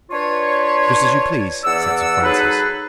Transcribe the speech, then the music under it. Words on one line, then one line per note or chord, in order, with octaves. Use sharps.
"Just as you please," said Sir Francis.
D4 F4 B4 C#5
E2 D5 F#5 E6
F#3 D#4 G#4 A4 B4